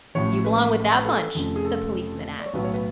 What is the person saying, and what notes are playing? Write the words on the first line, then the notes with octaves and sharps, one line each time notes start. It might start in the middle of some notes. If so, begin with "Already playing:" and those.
"Do you belong with that bunch?" the policeman asked.
A1 A2 F3 C#5
B4
B4
A4
F1 F2 C#3 F3
G#4
A4
D5
C#5
B1 A2 F#3 B4
C#5
B4